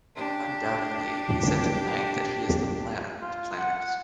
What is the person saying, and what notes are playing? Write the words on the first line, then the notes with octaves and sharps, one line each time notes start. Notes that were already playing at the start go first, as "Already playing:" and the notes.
Undoubtedly he said tonight that he is the planner of planners.
D4 G4
F4
F#5